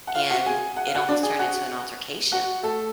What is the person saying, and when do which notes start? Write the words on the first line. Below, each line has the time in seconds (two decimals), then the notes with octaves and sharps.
and it almost turned into an altercation
0.07 F#5
0.14 F4 F5
0.30 F#4 F#5
0.46 G#4 G#5
0.76 F#5
0.87 F5
0.95 F#4 F#5
1.08 D4 D5
1.23 G#4 G#5
1.39 F#4 F#5
2.32 F#4 F#5
2.63 A3 A4